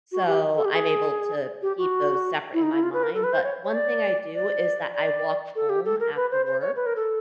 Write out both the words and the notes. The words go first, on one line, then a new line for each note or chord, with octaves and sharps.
so I'm able to keep those separate in my mind, but one thing I do is that I walk home after work,
F#4
G4
A4
G4
G#4
G4
F#4
E4
D#4
E4
F4
B4
A#4
A4
B4
C5
C#5
C#5
D5
D5
D5
A4
G4
A4
A#4
B4
C5
C5
C#5
B4
A#4
A4